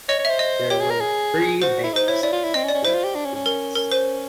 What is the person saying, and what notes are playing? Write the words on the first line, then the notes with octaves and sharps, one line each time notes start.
There were three males and three females.
C#5 D#5
C#5
C5 E5
D#5
G4 C#5
G#4
A#4
G#4
F#4 C5
E4
D#4 C5
E4 C#5
E4 D5
F4
E4
C4 D#5
C#4
D5
C#4
E4 C5
F4
G4
D4
C#4
C#4
A#4
C#4 A#4
C5